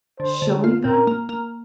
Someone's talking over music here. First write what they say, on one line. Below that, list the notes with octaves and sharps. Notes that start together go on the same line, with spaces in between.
showing them.
D3 C5
D3
F4
A#2 A#4
A#3
A#3